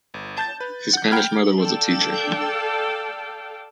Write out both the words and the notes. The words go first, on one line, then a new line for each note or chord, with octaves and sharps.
His Spanish mother was a teacher.
G1
A5 G6 A6
B4
F#5 G6
F#5 G5 A#5 B5 F6 G#6
G5
A4 D5 F5 G5